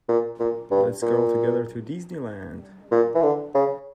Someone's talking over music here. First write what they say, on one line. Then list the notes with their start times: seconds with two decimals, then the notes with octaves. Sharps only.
Let's go altogether to Disney Land.
0.09 A#2
0.39 A#2
0.71 G2
1.02 A#2
2.92 A#2
3.15 E3
3.23 D3
3.55 C#3